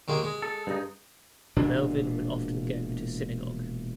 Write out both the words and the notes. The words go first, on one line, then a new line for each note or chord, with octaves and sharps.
Melvin would often go to synagogue.
D#2 G#3 A#3
G#3
A4
G2 D#4
E1 A#2 D4